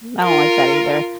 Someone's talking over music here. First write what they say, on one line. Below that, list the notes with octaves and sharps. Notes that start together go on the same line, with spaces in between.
I don't like that either.
F4 A#4